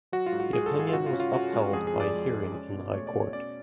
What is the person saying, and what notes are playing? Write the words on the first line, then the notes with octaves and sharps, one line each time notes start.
The opinion was upheld by a hearing in the High Court.
F#3 F#4
F4
G#2
F#4
G#2 G#4
A4
G#2
G#4
F4
C#3 F#4
F4
C#4
F4
C#4 F#4
G#3
F2 G#4
G#4
F3
D5
G#3
G#3
C#4
B2
A3 C#5
D5
B2
C#5
C#4 D5